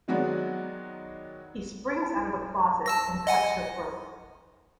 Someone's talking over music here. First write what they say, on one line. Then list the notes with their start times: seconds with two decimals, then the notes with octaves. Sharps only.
He springs out of a closet and cuts her throat.
0.08 D#3 F#3 G#3 B3 F#4 D5
2.86 A5 E6 A#6
3.27 D#5 F#5 G#5